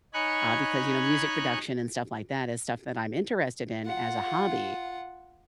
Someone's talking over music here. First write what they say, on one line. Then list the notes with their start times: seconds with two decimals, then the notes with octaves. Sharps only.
uh, because, you know, music production and stuff like that is stuff that I'm interested in as a hobby,
0.14 D#4 C#5 G#5 B5 C#6 F#6
3.85 F4 F#5